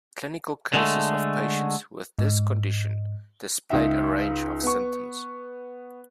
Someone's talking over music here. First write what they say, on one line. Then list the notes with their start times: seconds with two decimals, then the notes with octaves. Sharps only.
Clinical cases of patients with this condition displayed a range of symptoms.
0.74 D3 G#3 A3
2.19 G#2
3.70 C#2 D#4 E5
4.63 B3 C#6